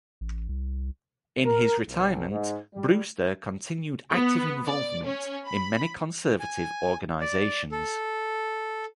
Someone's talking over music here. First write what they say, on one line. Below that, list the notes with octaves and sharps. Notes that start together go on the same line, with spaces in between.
In his retirement Brewster continued active involvement in many conservative organizations.
A1
C2
A#4
B1
G#2
G3
B3
D5
C#4
B5
G#5
D5
A4